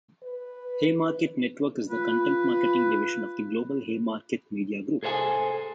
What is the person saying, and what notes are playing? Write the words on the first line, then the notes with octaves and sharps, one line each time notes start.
Haymarket Network is the content marketing division of the global Haymarket Media Group.
B4
F4 B4
G#4 A4 C5 F5 G#5